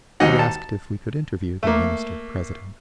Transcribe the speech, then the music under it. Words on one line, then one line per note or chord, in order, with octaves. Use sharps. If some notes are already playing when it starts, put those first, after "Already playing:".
We asked if we could interview the Minister-president.
D#2 G#2 F#3 D#4 D#5 F#5
A5
A3 A#3